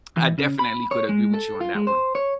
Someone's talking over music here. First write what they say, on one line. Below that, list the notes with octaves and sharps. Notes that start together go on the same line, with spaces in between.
I definitely could agree with you on that one.
E3
C#3
B5
C#5
G#3
A4
F4
G#3
C5
C#5